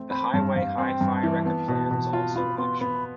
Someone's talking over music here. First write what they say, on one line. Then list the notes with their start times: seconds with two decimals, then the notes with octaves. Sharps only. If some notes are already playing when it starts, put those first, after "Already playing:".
The Highway Hi-Fi record player was also optional.
Already playing: A3 C4
0.10 C4 B5
0.33 G2 A5
0.49 G5
0.55 G2 F5
0.78 C4
0.86 G5
1.01 G2
1.16 A5
1.23 E3
1.46 B3 A5
1.68 B2
1.91 B2
2.13 F4
2.36 F4 B5
2.58 B3 C6
2.80 B3 B5